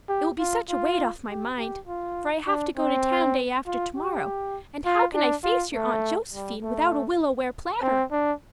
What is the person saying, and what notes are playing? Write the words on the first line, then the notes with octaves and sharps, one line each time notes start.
It will be such a weight off my mind, for I have to go to town day after tomorrow and how can I face your Aunt Josephine without a willow-ware platter?
G4
F4
F4
G4
G4
F4
D4
C4
F4
G4
F4
D4
F4
A3
G3
A3
C4
D4